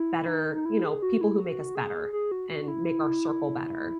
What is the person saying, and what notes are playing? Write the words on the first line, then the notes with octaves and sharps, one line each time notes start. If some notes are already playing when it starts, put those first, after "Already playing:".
better you know, people who make us better, and make our circle better,
Already playing: E4
D#4
D#4
E4
G#4
F#4
E4
F#4
G#4
G#4
F#4
F#4
E4